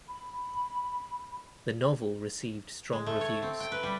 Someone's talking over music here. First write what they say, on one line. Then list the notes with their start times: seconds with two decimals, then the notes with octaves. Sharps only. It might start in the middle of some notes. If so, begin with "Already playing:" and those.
The novel received strong reviews.
0.08 B5
2.93 G#3
3.06 A3
3.21 C#5
3.42 C4
3.60 G5
3.72 B4
3.83 G3